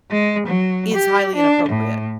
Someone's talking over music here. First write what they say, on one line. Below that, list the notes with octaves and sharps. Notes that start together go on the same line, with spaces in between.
is highly inappropriate.
G#3
F#3
G4
D4
A2